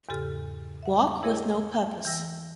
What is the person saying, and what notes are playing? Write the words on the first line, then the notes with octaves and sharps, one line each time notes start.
Walk with no purpose.
E2 G#2 C#3 G4 A4 F6
E5 F#5
C#6
E4 G#4 A#4 C#5 D#5 G5
E3 G5 E6 A#6